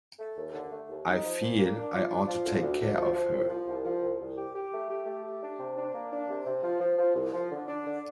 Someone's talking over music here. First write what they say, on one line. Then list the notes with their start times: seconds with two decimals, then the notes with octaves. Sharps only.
I feel I ought to take care of her.
0.19 A3
0.37 D#2
0.53 D3
0.71 A3
0.89 D#2
1.07 D#4
1.23 F3
1.41 A#2
1.59 A#3
1.76 D4
1.93 F3
2.11 D4
2.27 F3
2.45 D2
2.62 D2
2.80 D2
2.97 F3
3.14 F3
3.33 C2
3.49 F3
3.68 C2
3.84 F3
4.02 C2
4.20 C2
4.36 G4
4.54 G4
4.72 A3
4.90 G4
5.06 A3
5.24 G4
5.41 D4
5.58 C3
5.76 D4
5.93 A#3
6.11 D4
6.28 C3
6.45 C3
6.63 F3
6.80 F3
6.98 F3
7.15 C2
7.33 F3
7.51 D3
7.68 D4
7.85 D3